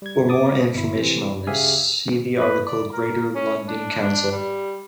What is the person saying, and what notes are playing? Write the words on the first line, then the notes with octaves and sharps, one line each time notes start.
For more information on this see the article, Greater London Council.
G3 G#6
D6 D#6 A6
G1 E4
C3 E3
C#3 G4 G#4 E5 F5 G#5
B4
D5
A#4
C#4
D4
D4
G3